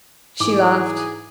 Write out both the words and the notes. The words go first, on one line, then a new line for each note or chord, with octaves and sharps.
She laughed.
G#2 E3 G#4 D6